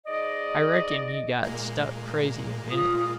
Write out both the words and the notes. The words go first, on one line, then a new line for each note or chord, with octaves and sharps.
I reckon he got struck crazy a minute.
G#2 D5 D#5
A#2 G#3 A#3
F4 D#6